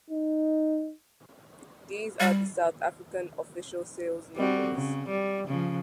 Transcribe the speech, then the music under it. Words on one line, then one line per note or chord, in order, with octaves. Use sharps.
These are the South African official sales numbers.
D#4
G3
G3 C4 F#4
C#3
G3
C#3 F3